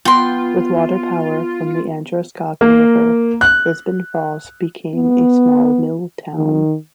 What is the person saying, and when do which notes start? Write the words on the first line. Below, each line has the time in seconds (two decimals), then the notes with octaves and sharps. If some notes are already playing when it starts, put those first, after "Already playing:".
With water power from the Androscoggin River, Lisbon Falls became a small mill town.
0.05 B3 F4 G5 C6
2.61 A#3
3.41 F#6
4.95 B3
6.34 D#3